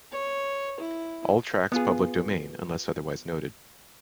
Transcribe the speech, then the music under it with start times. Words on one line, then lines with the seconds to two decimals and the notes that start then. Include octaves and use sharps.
All tracks public domain unless otherwise noted.
0.12 C#5
0.80 E4
1.72 B3 F4 G#4